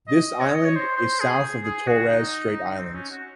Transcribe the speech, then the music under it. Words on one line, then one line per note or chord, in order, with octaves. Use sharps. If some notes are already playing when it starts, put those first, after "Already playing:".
This island is south of the Torres Strait Islands.
D#5
C#5
D#5
C#5
C5
C5
G#4
G#4
F#4
D#4
C4
C#4
F#4